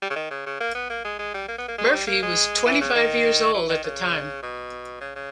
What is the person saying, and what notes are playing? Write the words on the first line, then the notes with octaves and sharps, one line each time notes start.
Murphy was twenty-five years old at the time.
G3
C#3
D#3
C#3
C#3
A#3
B3
A#3
G#3
G#3
G3
A#3
B3
A#3
G#3
G3
A#3
G#3
E3
C#3
D#3
E3
D#3
C#3
B2
C#3
C#3